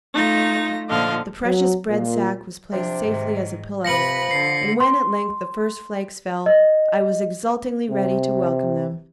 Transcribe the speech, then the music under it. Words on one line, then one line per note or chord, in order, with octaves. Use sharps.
The precious bread sack was placed safely as a pillow, and when at length the first flakes fell I was exultingly ready to welcome them.
A3 D#4 F4 A#6
A#2 D3 F3 D#5 F5
F#3
A#2
C3 F3 D4
G#2 D#3
C3 F3 B4 A#6 C#7 F#7
D3 C7
C6
D#5
C3